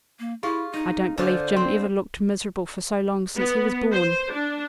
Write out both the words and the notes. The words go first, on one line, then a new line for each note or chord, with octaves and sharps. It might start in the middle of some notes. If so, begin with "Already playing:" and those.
I don't believe Jim ever looked miserable for so long since he was born.
A#3
E4 F4 G4 G#4 F5
D#4 D#5
D3 D4 F4 C5 D6
C4 C6
B3
C5
D4